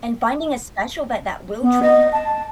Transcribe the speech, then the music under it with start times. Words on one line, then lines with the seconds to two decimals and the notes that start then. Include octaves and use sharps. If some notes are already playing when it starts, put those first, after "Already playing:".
And finding a special vet that will treat them.
1.62 B3
1.82 D#5
2.12 A5